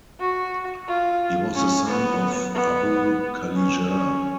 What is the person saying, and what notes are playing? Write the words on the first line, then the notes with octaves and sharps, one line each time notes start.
He was the son of Abu Kalijar.
F#4
F4
C#4
B3
B3
C#4
C#4